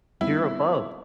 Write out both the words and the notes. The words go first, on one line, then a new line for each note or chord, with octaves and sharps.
here above,
G3 B3 C4 E4